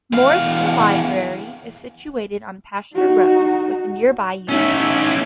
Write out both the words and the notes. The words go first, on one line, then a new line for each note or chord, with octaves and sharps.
Moreton Library is situated on Pasture Road, with a nearby youth club.
E2 F5
D#4 F#4
A3 C#4 D#4 E5